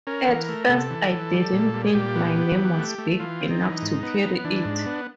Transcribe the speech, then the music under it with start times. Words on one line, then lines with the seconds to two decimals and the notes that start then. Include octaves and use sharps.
At first I didn't think my name was big enough to carry it.
0.07 C#4 A#4
0.28 E3
0.49 A3
0.69 C3 A4
0.91 E3
1.11 E3
1.32 G3
1.53 A#2
1.74 G3
1.87 G#4
1.95 A#2 G4
2.15 B3
2.36 B3
2.57 E3
2.78 A3
2.98 A3
3.19 E3 F4
3.41 C4
3.51 D#4
3.61 E3
3.82 G#2
4.03 B3
4.24 B3
4.44 E3 D4
4.65 G#2
4.86 B3